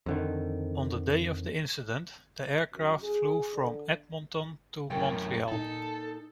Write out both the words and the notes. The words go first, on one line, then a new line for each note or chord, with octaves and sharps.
On the day of the incident, the aircraft flew from Edmonton to Montreal.
F2 D3 D#3
F#2
G#4
D3
F#2 A2 D3 A#4 G5
A#2 D#4 A4